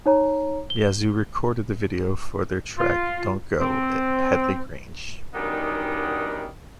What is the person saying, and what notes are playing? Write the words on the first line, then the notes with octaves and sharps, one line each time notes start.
Yazoo recorded the video for their track "Don't Go" at Headley Grange.
D#4 C#5 A#5
G7
F4
C4
F#2 D#3 G3 B3 D4 D#4